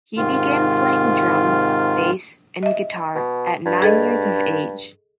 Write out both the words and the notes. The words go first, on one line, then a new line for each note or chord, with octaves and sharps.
He began playing drums, bass and guitar at nine years of age.
G#2 C3 D#3 F4
D#5 E5
B2
G2
G#4 A4 D#5